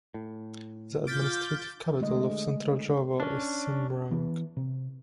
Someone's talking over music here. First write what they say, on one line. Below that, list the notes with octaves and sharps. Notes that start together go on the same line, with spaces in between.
The administrative capital of Central Java is Semarang.
A2
F4 D6 F6 G6 A6 B6
D3 G#3 A3 D#5
C#4 D4
E3 B3
C3